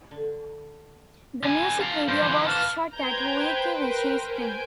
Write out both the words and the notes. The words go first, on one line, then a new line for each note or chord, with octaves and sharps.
The music video was shot at Weeki Wachee Springs.
D3
D3 G#5
A4 F5
G2 C5
D3 E3
B4 F5 A5
B4 C5 G5 A#5 G6 G#6
A#4
G#5 G6 D7